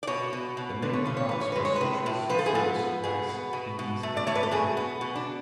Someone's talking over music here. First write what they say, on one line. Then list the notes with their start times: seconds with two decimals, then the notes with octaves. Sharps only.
The main crops were citrus fruits, rice, beans, and corn.
0.03 D5
0.07 B2 C#5
0.33 B2
0.57 B2
0.82 D3 B4
0.93 C#5
1.05 F3 B4
1.17 C#5
1.29 D3 B4
1.41 C#5
1.52 G#3 B4
1.65 C#5
1.76 A2 B4
2.06 A2
2.29 F3 B4
2.39 A4
2.46 G#4
2.55 B3 A4
2.79 B3
3.04 B2 G#4
3.29 B3
3.53 B2
3.79 B2
4.03 A3
4.17 D5
4.27 A3 C#5
4.35 B4
4.43 A4
4.52 B2 G#4
4.77 B3
5.01 B2
5.15 D4